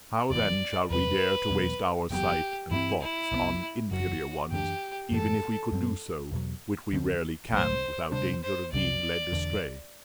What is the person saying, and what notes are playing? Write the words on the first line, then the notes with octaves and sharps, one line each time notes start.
How then shall we dare to waste our sight and thoughts on inferior ones, even if we could do so, which we rarely can, without danger of being led astray?
F#1 E2 C3 E3 D5
E2 C3 G3 B4
E2 B2 F#3
F#1 E2 C3 F#3 G4
G2 E3 A3 C4 E4
E4
C2 C3 E3 B3
F#1 F#2 F#3 F#4
F#2 E3 B3 D4 G4
F#2 E3 A3 A4
F#2 F#3 C4
E2 B2 F#3
D2 D3 F#3 C4
B1 A2 F#3 A3 C5
D2 C3 G3 D4 C5
C5
C2 C3 F#3 D5
E1 E2 D3